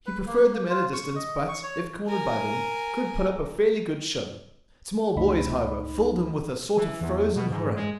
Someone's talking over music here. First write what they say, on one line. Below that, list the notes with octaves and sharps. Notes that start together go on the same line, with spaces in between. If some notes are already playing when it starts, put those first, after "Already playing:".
He preferred them at a distance, but, if cornered by them, could put up a fairly good show. Small boys, however, filled him with a sort of frozen horror.
B4
A#3
F4
C#6
D#5
C#6
C#5
A#4 G#5
C#2 F#2 A3 D#4 B5
E3
E2
B2
G#2
G#3